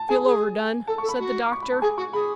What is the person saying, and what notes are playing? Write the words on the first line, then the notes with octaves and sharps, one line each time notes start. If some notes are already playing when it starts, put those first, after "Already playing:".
"Feel overdone?" said the doctor.
Already playing: A5
G#4 G#5
G#4
A4 A5
C#6
A4
B5
F#4
D6
C#6
B5
A5
G#4 G#5
F#4 C#6
G#4 B5